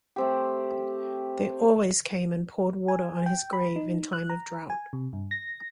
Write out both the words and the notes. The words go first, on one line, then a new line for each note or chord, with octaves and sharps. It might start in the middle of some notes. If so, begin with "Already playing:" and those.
They always came and poured water on his grave in time of drought.
A3 C4 G4
G#5
G5
B5
D#4
F#6
A#5
G#5
C3
G2
A#6